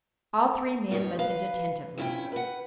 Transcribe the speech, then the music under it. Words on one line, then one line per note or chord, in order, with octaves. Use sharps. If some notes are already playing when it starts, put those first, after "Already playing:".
All three men listened attentively.
F#2 B2 D#4 C#5
B4 F5
F2 C#4 E4 A4 G5
B4 F#5